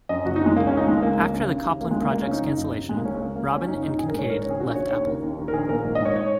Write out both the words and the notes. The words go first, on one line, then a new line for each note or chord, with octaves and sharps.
After the Copland project's cancellation, Robbin and Kincaid left Apple.
F#2 D#5
F#1 F#4
D#4
F#2
G#3
C#2 A#3
C#4
C#3
D#4
C#2 G#3
C#3 A#3
C#2
C#3
D#2
C#3
C#2 A#3
G#3
C#3 A#3
C#2 A#3
C#4
C#3
D#4
F#1
F#2
D#2
C#3 G#3
A#3
C#2 C#4
C#3 A#3
C#2 A#3
C#3 C#4
C#4
F#1 D#4
F#2 D#4
A#1 G#4
A#4
G#2 C#5
D#2 A#4
C#5
C#3
G#4
A#1 F#4
A#2 C#5
D#2 C#5
C#3 A#4
D#2
D#3
A#4
A#1 G#4
A#2 A#4
G#1
D#5
G#2 C#5
C#5